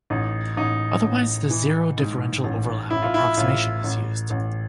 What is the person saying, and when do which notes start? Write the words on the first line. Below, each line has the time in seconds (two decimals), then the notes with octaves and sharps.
Otherwise the zero-differential overlap approximation is used.
0.10 A1 D#4
0.57 A1 D#4
1.04 A1
1.50 E3
1.97 G#2
2.43 A1
2.90 A1 E4
3.02 F4
3.14 E4
3.37 A1 F4
3.84 A1
4.30 A1